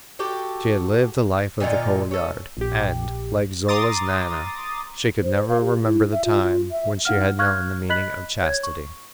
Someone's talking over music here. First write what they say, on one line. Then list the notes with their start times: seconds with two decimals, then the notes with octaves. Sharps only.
She had lived the life of the Coal Yard, and, like Zola's Nana, she could never remember the time when she had known the meaning of chastity.
0.19 F#4 G4 A4
1.60 A#2 D3 D#3 F4
2.11 C#4 A4
2.57 A#1 G4
3.68 A#5 C6 D6 D#6 A6
5.23 C5
5.49 F5
5.61 G4
5.84 E4
6.12 E5
6.25 F4
6.42 F4
6.71 E5
7.05 D#4 F5 F#5 F6
7.39 F5 C#6 F6 F#6 G#6
7.89 D#5 B5 F#6 B6 F#7
8.43 C#5 G#6
8.63 C#6